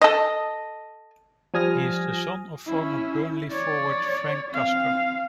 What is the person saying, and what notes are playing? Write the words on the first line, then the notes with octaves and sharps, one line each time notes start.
He is the son of former Burnley forward Frank Casper.
A4 D#5
F3 G3 G#5 D#6 F6 A#6
C#4 E4
C#5 D5
C4 F5